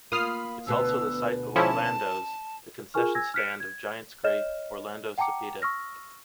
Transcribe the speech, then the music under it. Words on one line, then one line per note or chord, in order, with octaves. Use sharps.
It's also the site of "Orlando's", the concessions stand of Giants great Orlando Cepeda.
A#3 F4 B5 D#6 F6 C7
D2 B2 B3 E6
F3 C#4 E4 A5
F4 G#4 A#4 G#5 C#6 F6
G#5 E6 G#6 A#6
F6 F#6 B6 C#7 D7
G#6
C#5 D#5 F6 E7
F#5 G5 A5 A#5 D6 C#7
C#6 E6 F6 A#6